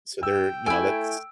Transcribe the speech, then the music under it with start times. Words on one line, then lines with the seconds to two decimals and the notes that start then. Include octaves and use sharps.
So they're you know, that's
0.23 G5 E6
0.66 A3 E4 G#5 E6 D7